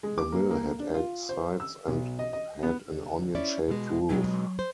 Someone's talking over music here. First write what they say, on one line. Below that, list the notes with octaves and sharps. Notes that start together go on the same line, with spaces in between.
The mill had eight sides and had an onion-shaped roof.
G#3
D6
A#3
A#3
D4
F4
C5
E6
B1
D#5
D#5
B3
D3
C#4 E4 D5
B2 G#3
G#2 B2 F#3 G#3
C5